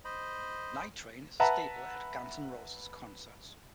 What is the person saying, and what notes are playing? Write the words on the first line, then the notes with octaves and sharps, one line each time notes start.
"Nightrain" is a staple at Guns N' Roses concerts.
C5 D#5 B5
B4 E5 F#5 A5 A#5